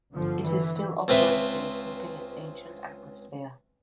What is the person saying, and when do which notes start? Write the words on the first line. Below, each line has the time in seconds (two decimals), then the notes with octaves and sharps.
It is still operating keeping its ancient atmosphere.
0.13 G1 D3 F3
0.46 E3
1.08 C#2 C4 F4 B4 E5 C6